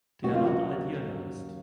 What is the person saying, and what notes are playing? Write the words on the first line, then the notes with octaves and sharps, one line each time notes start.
They are not idealized.
D#2 C#3 F#3 A#3 F#4
F4
F#4